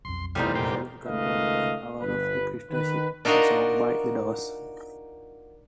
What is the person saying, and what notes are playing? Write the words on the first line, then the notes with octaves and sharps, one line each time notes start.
This album contains a cover of "The Crystal Ship", a song by "The Doors".
B1 F2 C6
F1 E2 G3 C4 D#4 F4
A#2 G4 C7
C#2 D#3 A3 B4 D#5 F5
G1 B4
D#3 B4
D4 D#4 F4 F#4 A#4 D#5